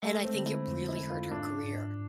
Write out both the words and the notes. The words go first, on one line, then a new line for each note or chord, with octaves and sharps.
And I think it really hurt her career.
G#3 A3
C4
D3
E4
F2
E4
F2
F4
G#2 D4
G#2